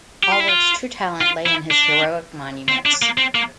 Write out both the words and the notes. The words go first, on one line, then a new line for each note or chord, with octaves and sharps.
Allward's true talent lay in his heroic monuments.
G4
F4
E4
F4
F4
E4
D4
C4
D4
A#3
C4
A#3